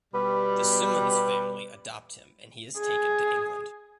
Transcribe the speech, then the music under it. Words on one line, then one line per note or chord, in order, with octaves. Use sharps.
The Simmonds family adopt him and he is taken to England.
B2 G3 B4
G#4